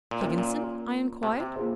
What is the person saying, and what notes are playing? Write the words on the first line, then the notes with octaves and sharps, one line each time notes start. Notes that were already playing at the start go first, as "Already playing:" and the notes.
'Higginson?' I inquired.
A#2
C3 A#3 C#4 F4 A#4
A#2
C3
C3
A#3 F4 G#4 C5